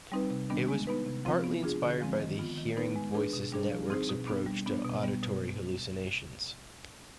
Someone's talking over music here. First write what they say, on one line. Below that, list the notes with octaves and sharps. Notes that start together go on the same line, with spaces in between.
It was partly inspired by the Hearing Voices Network's approach to auditory hallucinations.
G3 C4 D#4 B4
C3
D#3 G3 B3 D4
G#3
B3 D#4 B4
C3
F3 C4 F4 C5
B3
D4 F4 G#4
D3
F3 G#3 C4
D#3
B3 F4
D#3
B3 D#4 B4
G#3
D4 G#4 B4
B2
G3 D4 G#4 C5
F3
C4 D#4 G#4 C5
B2
B3 D4
G3
B3 D4
B2
G3 B3
B2